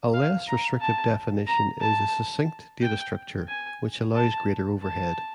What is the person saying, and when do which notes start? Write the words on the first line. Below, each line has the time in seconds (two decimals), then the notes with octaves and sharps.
A less restrictive definition is a succinct data structure, which allows greater overhead.
0.14 F5
0.47 A#5
0.80 A5
1.47 A#5
1.81 A5
2.82 G5
3.48 G#5
4.15 A5
4.82 A5